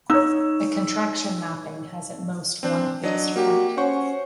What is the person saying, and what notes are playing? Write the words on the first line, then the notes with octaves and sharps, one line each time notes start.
A contraction mapping has at most one fixed point.
D#4 C#5 E6
C4 D4 C5
F#3 D4 D#5
A#3 F#4 G4
C#4 C5 F#5 C#6